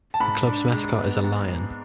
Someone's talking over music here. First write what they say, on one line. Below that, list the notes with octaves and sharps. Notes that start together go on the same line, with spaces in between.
The club's mascot is a lion.
A5
G#2 B5
D4
G#3
B3
G#2